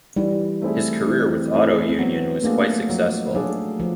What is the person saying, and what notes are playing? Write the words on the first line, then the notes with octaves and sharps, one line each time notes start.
His career with Auto Union was quite successful.
E3 G3
A3 C4 E4 G#4
E3 C4
A3 C4 E4 G#4
C4
F#3 B3
A3 A#3 D4 F4 G#4
F3 F#3
F#3 A3 D4 F4 G#4
F3